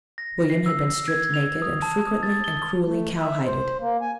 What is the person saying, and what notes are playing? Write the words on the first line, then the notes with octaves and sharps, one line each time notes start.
William had been stripped naked, and frequently and cruelly cowhided.
A#6
C7
E6
G#6
F7
D#6
A5
D#6
A6
G7
A3
E5
C5
A#3
G#5